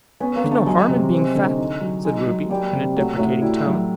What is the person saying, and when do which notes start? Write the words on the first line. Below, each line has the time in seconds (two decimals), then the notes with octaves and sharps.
"There's no harm in being fat," said Ruby in a deprecating tone.
0.20 B3 C#4
0.36 A#3
0.44 D3
0.52 A3
0.66 F#3 G#3
0.89 C3
1.13 C4
1.35 D3
1.58 D#4
1.81 F#3
2.05 G#3 D#4
2.27 F#3
2.50 G3 A#3
2.73 C3
2.96 F#3 A3
3.17 A2 F#3
3.42 G3 E4
3.66 F#3